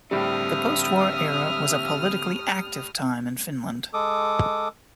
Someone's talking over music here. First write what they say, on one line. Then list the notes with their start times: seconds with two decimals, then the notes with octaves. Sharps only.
The post-war era was a politically active time in Finland.
0.11 A2 D3 G3 C4 E5 D#6 F6
3.94 G#3 A4 D6 D#6